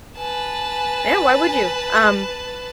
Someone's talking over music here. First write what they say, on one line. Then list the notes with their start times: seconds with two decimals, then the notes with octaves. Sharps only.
yeah, why would you? Um,
0.17 B4 G#5 A5